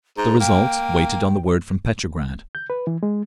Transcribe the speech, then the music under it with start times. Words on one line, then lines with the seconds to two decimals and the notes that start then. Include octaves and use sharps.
The result waited on the word from Petrograd....
0.17 G#2 A#5
0.40 A#3 G5
2.55 G6
2.70 B4
2.87 E3
3.03 G#3